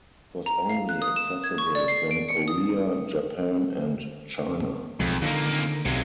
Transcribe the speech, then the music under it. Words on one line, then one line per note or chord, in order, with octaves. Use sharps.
It was only accessible from Korea, Japan and China.
A#5
F5
F#6
D#6
E7
G#6
C#6
D5
C7
D7
C#7
D#6
B1 F2 G#3
F2 D3 D#3 A#3
B1 C3 G#3